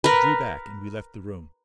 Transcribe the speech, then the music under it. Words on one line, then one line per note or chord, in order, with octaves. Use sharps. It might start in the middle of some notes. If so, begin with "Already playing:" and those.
He drew back; and we left the room.
A#4 B4